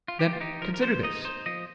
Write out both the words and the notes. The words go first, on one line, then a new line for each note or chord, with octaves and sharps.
Then consider this.
F4
D#4 G4
F4
D#4 G4
F3 A#4
A#4
F3 C5
D#4 D#5
D#4 C5
F3 D#5